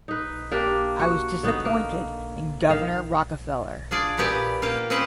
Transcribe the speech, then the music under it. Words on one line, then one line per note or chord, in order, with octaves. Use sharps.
I was disappointed in Governor Rockefeller.
D#4 B4
A#3 D4 G4
F#4
D3 B3 D#4
A#3
D#3 F5
D4 F4 G#4 D5
A#2 E3 B3 G4 D5 G#5
A#3 F4 G4 F5
C4 C#4 G#4 B4 C5